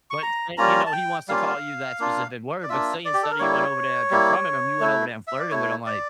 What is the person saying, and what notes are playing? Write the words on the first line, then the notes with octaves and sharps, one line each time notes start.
But, say, you know, he wants to call you that specific word. But, say, instead of you went over there and confronted him, you went over there and flirted with him, like,
C#6
A#5
G3 A#3 C#4 F4 A#5
A5
G5
G3 A#3 C#4 F4 F5
A#3 D4 F4
D5
A#3 D4 F4 E5
D5
G4
A4
A#4
G3 A#3 E4 C#5
G3 A#3 E4
A3 E4
E5
D5
A3 E4 C#5
D5